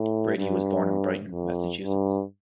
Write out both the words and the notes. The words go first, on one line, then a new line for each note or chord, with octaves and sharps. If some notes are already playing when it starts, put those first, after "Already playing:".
Brady was born in Brighton, Massachusetts.
Already playing: A2
G2
F2
G2